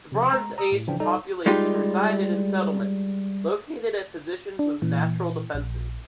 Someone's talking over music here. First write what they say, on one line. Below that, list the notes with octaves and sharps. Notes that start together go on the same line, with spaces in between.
The Bronze Age population resided in settlements located at positions with natural defenses.
C3 F3
G#3 A#5
A#5 D#6 E6
A2
C#3 E3 F3 D4 G5
G3 D#4 A4 D5
G3 G#3 D#4 F4 G4
D4
A#2 E3
A#1